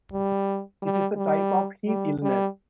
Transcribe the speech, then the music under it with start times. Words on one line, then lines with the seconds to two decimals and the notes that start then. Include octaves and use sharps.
It is a type of heat illness.
0.12 G3
0.82 G3
1.17 G3
1.87 G3
2.22 G3